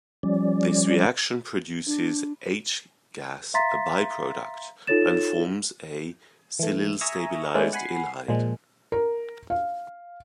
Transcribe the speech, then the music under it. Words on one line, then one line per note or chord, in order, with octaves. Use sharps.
This reaction produces H gas a by product, and forms a silyl-stabilised ylide.
F3 G3 C#4 D5
D4
E5 F5 A#5 C6 A6 B6
D#4 F4 A4 C#5 A6 E7
E3 A3
E5 G#5 A#5 C#6 D#6 E6
G#3 A3 B3 C#4 E4 D5
F#5 G#5 B5 C7
A#2 F3 G#3
A#4
F5